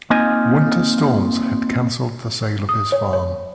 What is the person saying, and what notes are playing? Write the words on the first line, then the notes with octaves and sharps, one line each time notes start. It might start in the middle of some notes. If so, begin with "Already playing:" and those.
Winter storms had cancelled the sale of his farm.
A#3 C4 D#4 F4 D#5 G#5
D#6
C#5
C#5